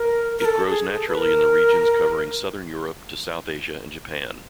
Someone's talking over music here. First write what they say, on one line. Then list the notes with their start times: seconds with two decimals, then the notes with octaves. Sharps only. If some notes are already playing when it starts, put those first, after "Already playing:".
It grows naturally in the regions covering Southern Europe to South Asia and Japan.
Already playing: A#4
0.39 A#4
0.45 A4
0.69 G#4
0.94 A4
1.08 B4
1.18 A#4